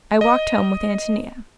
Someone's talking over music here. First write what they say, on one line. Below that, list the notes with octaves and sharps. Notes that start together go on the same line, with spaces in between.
I walked home with Antonia.
D#5